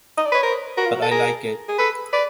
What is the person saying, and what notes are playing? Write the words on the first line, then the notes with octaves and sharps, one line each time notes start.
But I Like It.
D#5
D5
B4 C#5
A#4 C5
F#4 A#4
F4
F#4
A4
G#4 A#4
G#4
A4 B4
B4 D5